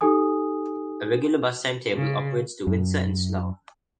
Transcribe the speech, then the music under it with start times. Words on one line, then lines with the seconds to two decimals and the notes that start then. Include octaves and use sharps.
A regular bus timetable operates to Windsor and Slough.
0.01 D#4 G4 A4 G#5 D#6
1.95 C#3
2.67 F#2